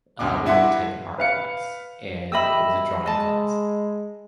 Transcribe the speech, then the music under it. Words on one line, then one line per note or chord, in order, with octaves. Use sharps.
uh, we had to take an art class, and it was a drawing class,
D2 B2 D6
G2 E4 E5 F#5 C6 D6
B4 F5 C#7
G4 D#5 E5 B5 E6
G#3 D#5 A5